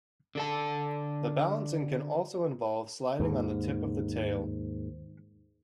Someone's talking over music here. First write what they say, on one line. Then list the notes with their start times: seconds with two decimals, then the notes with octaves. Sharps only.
The balancing can also involve sliding on the tip of the tail.
0.35 D3 A4 A5
3.20 D#2 G#2